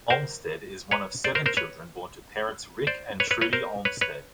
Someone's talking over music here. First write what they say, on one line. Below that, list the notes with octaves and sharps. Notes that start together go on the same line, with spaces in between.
Olmstead is one of seven children born to parents Rick and Trudy Olmstead.
A#4 C5
B4 C#5
C5 D5
A#4 C5
A#4 C5
B4 C#5
C5 D5
B4 C#5
B4 C#5
B4 C#5
A#4 C5
B4 C#5
B4 C#5